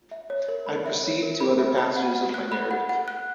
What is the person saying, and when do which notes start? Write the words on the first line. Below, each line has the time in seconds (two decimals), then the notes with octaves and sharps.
I proceed to other passages of my narrative.
0.11 E5
0.30 C#5
0.48 A#4
0.67 B5
0.86 E5
1.04 C#5
1.22 A#4
1.40 B5
1.59 E5
1.78 B5
1.96 F#5
2.16 F#5
2.34 F#6
2.52 B5
2.71 F#5
2.89 F#5
3.08 F#6